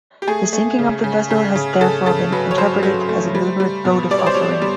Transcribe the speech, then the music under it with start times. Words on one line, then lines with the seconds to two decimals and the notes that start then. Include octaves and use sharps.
The sinking of the vessel has therefore been interpreted as a deliberate votive offering.
0.22 G4
0.27 A3 G#4
0.53 A3
0.79 C#3
1.04 C#3
1.30 C#3
1.56 C#3
1.81 C#3 A4
2.06 C#3 A4
2.32 F#3 B4
2.51 C#5
2.58 F#3 C5
2.83 F#3
3.09 A3
3.35 G3
3.60 G3
3.85 B2
4.11 G3 D5
4.19 C#5
4.26 C5
4.34 G3 C#5
4.62 G3